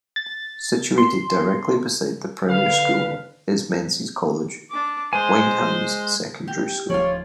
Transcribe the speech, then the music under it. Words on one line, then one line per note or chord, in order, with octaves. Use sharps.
Situated directly beside the primary school is Menzies College, Wyndham's secondary school.
A6
C6
D3 B4 F5
D4 D6
G#3 C5 G#5 C6
G4
D1 F3 F4 C#5 D5